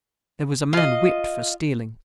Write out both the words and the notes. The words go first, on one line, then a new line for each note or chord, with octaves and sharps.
Their was a man Whiped for Stealing.
F4 D#5